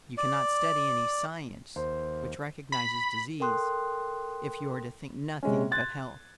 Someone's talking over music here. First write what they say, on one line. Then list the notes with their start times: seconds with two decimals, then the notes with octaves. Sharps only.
You cannot study any "science" which recognizes disease, if you are to think nothing but health.
0.18 D5
1.76 D#2 C5
2.72 B5
3.40 A4 A#4 G5 C6 D#6 F#6
5.43 C3 G#3 C#4
5.71 C6 F#6 G#6 A6